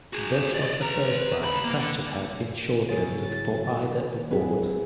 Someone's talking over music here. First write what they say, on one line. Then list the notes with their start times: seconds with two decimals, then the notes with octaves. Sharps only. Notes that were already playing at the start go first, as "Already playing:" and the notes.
This was the first time Pratchett had been shortlisted for either award.
0.13 F#4 G#4
0.54 D5 D#5
0.81 B4 A#5
1.43 C#2 B5
1.64 A#3
1.79 D3
2.89 G#2 C#3 F#3 E4 G#4 A6
3.90 D#3 A#3
4.31 A2 F#3 C4 D4 E4 G#4 B4